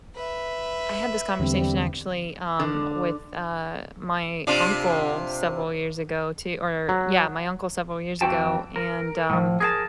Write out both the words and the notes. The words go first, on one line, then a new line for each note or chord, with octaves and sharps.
I had this conversation actually, um, with, uh, my uncle several years ago too or yeah, my uncle several years ago, and, um,
B4 E5
E2 D3 G3 C4
D3
C3 D4 F4
F#3
F2 E3 F#4 G5 A5
A#4
A2 F3
G#4 A#4 F#5 A5